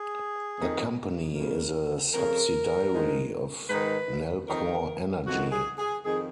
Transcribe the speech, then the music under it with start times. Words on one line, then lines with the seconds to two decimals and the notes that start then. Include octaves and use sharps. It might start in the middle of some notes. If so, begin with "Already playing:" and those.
The company is a subsidiary of Nalcor Energy.
Already playing: G#4
0.58 F2 D#3
1.36 F2 C#3 A#4
2.14 F2 C#3 A#4
2.93 G#2 D#3
3.70 G#2 D#3 B4
4.48 F2 D#3 A#4
5.26 F2 D#3 F#4
5.52 G#4
5.78 G#4
6.05 F2 D#3 G#4